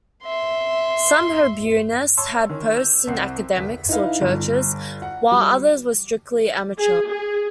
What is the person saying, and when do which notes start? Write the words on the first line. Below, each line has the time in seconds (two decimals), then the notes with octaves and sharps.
Some Hebraists had posts in academies or churches, while others were strictly amateur.
0.24 E5 C6
2.17 C#5 A5 C6 C#6 E6
2.49 D#3 C#4
2.77 E6 G6 E7 F7
3.07 C2 C4 F#5 C7
3.55 F1 C2 B6
3.89 D#4 E4 B4 F5
4.21 G1
5.02 F#5
5.32 G3
6.77 G#4
7.08 G#4